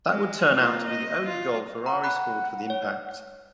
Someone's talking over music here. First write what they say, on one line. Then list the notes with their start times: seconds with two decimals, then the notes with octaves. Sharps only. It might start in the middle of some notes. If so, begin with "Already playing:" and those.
That would turn out to be the only goal Ferrari scored for the Impact.
0.11 G#3
0.54 A#3 F4
0.86 D#5
1.24 F4
1.86 F#5 A#5
2.04 B5 F#6
2.70 C#5